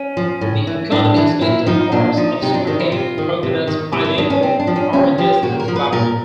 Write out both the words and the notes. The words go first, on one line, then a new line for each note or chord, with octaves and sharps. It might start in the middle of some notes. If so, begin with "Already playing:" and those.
The economy is based on crops of sugarcane, coconuts, pineapple, oranges and tobacco.
Already playing: C#4
F3
A2
E3
A2 D4
E3
A#2 E4
F3 D#4
A#2 D4
F3 D#4
C3 D#4
D4
D#3 D#4
E4
C3 F4
D#3
C3
D#3
C3 E4
E4
D#3 D4
C#4
C3 C4
D4
F3
C#4
C3 C#4
F3 G4
A#2 F#4
A#4
F3
B4
A#2 A#4